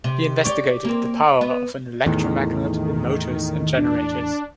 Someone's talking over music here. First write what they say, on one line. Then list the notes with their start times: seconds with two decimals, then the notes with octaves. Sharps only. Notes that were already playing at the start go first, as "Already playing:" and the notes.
He investigated the power of an electromagnet in motors and generators.
0.04 C3
0.45 G4 C#5 D5
0.85 A#3 C4
1.41 B3
2.06 E2 A2 D#3
3.78 D4